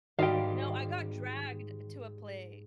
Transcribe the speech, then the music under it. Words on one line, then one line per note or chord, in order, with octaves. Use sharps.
No, I got dragged to a play.
G#2 D#3 G3 F#4 D5 F5 G5